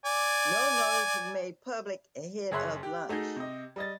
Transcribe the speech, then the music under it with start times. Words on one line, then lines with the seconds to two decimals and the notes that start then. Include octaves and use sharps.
No notice was made public ahead of launch.
0.05 D5 G#5
2.51 F#1 G#4 C#5 E5 C6 F#6
2.83 G4
3.09 A3 D#4 F#4 G#4
3.36 C3 D#5
3.76 G3 D#5 A6